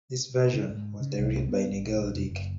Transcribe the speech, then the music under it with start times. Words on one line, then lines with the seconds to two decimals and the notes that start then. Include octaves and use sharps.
This version was directed by Nigel Dick.
0.54 C#3
0.69 G#2
1.00 C#3
1.17 C2
1.48 B3
1.71 G#1
1.85 A#1
2.00 A#1
2.14 F1
2.31 F#1